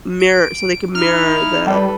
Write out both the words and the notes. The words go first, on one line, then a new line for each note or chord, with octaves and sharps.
mirror so, they can mirror the
D7
D#4 E4 F6
G3 A4 B4